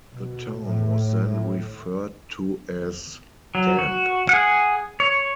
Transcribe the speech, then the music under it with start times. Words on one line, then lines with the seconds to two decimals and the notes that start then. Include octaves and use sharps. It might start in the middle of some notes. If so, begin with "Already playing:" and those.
The town was then referred to as "damp".
0.13 B2
0.64 A2
3.55 F#3
3.79 F#4
4.29 G#4 F#5
5.00 C#5